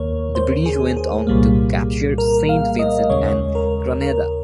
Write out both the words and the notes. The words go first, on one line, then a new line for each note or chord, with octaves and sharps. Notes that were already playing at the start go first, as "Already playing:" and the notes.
The British went on to capture Saint Vincent and Grenada.
Already playing: D#2 D#3 A#3 A#4 C#5
C5
G#4
G#4
C2 A#2 G3 A#3
A#4
F5
D#5
D#2 C#3 G#3 C#5
A#4
A#4